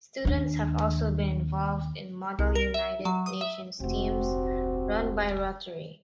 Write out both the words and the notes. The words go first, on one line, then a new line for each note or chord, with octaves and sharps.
Students have also been involved in Model United Nations Teams run by Rotary.
D#2 D4
C2
A#4
E5
F#3
D#6
E5
F1 D2 C3 C4 F#4